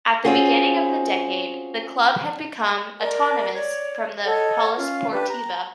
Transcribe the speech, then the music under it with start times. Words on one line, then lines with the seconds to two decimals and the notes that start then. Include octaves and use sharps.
At the beginning of the decade, the club had become autonomous from the Polisportiva.
0.25 C4 C#4 F4 F#4 G#4
3.00 A#4 D5
3.54 C#5 D5
4.24 A4 C#5 D#5 F#5
4.76 C#4 F4 F5
5.11 D4 G4 B4
5.30 A#5